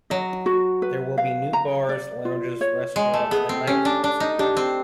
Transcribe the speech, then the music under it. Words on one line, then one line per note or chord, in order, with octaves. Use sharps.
There will be new bars, lounges, restaurants and nightclubs.
F#3 D#5
F#4
B4
F5
A#5
D5
F4
C#5
G#3 F#5
A3
B3 G#4
C4
C#4 G4
D4
D4 D5
D#4
D4 G4
C4